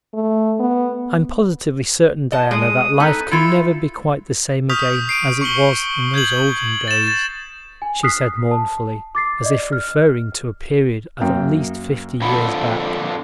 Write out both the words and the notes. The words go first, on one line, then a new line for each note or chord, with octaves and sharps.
"I'm positively certain, Diana, that life can never be quite the same again as it was in those olden days," she said mournfully, as if referring to a period of at least fifty years back.
A3
B3
D#5 A5
G#3 D#6
D#4 A4 B4 G#5
E4 F4 A4
C#6 D#6 F6 G6 B6 F7
D#6 C7 D7 D#7
C#6 C#7 F#7 G7
G6 G#6 C7 F#7
A6 E7
A6 E7
G#5
D#6 F6 F#6 B6 C7
A5
D6 A6 C7
D5 D#5
F6
F#2 A#3 G5
F2 D3 B5